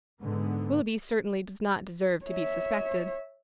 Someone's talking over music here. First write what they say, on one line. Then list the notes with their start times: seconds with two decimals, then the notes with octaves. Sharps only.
Willoughby certainly does not deserve to be suspected.
0.20 G#2 D3 B3
2.25 C#5 E5